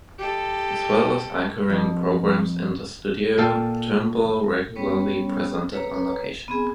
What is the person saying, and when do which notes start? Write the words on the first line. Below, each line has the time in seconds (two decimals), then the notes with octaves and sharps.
As well as anchoring programmes in the studio, Turnbull regularly presented on location.
0.18 G4 A4 D#5
1.70 F2
3.38 A#2 A4 F5 G5
4.76 G3 B3 C#4 C#5
5.73 B4 C#5 A#5
6.48 B3 C4 G#4 G#5